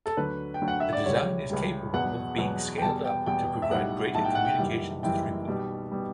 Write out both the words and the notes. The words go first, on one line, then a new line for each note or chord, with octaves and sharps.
The design is capable of being scaled up to provide greater communications throughput.
A4
D2 D3 F#3 B4
G5
D2 D3 F#3
F#5
E5
D5
C#2 C#3 G3 C#5
C#2 C#3 G3
E2 B2 F#3 F#5
E2 B2 F#3
G5
E2 B2 G3 A5
G5
E2 B2 G3 G5
E5
B1 A2 G3 F#5
B1 A2 G3 A5
G5
F#5
G5
F#1 F#2 E3 G3
F#1 F#2 E3 G3 G5
B1 B2 G3
B2 G3